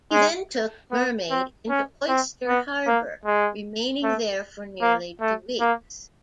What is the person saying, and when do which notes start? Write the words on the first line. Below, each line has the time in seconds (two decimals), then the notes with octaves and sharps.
He then took "Mermaid" into Oyster Harbour, remaining there for nearly two weeks.
0.13 G#3
0.91 B3
1.31 C4
1.69 C#4
2.08 C4
2.47 B3
2.87 A#3
3.25 G#3
4.03 A3
4.81 A#3
5.21 A3
5.60 A#3